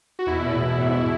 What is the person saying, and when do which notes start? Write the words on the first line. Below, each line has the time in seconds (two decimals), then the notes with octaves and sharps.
And, um
0.19 F#4
0.26 E2 B2 E4